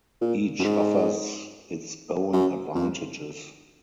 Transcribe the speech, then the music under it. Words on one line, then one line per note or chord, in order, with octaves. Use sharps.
Each offers its own advantages.
A#2
F#2
G#2
F#2
F2